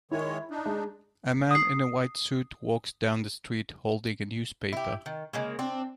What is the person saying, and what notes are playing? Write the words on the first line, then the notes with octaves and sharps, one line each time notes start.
A man in a white suit walks down the street holding a newspaper.
D#3 G#3 E4 C#5
D4 D#4
G#3
D#6 C7
E4 G4
D#3
C#3 G#3 A#3
C4 D4